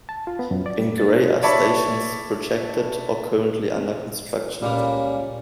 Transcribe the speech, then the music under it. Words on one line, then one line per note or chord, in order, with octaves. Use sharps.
In grey are stations projected or currently under construction.
A5
F4
B3
F#2
D5
G3
A6
C#5 D5 E5 A5 B5 C#6
C#2 A#2 G3 A#3 C#4 D5